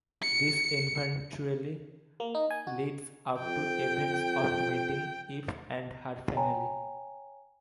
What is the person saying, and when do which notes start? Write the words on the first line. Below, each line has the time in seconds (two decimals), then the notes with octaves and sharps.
This eventually leads up to events of meeting Eep and her family.
0.22 C#7
2.20 A#3
2.35 D#4
2.50 G#5
2.67 F#4
3.39 F2 G5
6.37 C#5 G5 G#5 A#5 B5